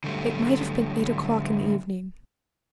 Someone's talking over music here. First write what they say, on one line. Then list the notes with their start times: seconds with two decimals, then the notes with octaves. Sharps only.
It might have been eight o'clock in the evening.
0.04 D3 F#3 G3 A3